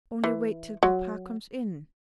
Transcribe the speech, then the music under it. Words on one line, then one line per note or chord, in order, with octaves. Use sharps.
'Only wait till papa comes in.
E3
F#3